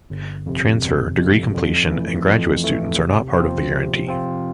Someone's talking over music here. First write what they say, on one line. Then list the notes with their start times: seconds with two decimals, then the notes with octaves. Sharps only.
Transfer, degree completion and graduate students are not part of the guarantee.
0.10 G1
0.46 F2 C3
0.82 G1
1.19 F2 C3
1.54 F2
1.90 E3 A3
2.27 F2
2.64 E3 A3
2.99 C3
3.34 F3 C4 F4
3.71 C3
4.07 F3 C4 F4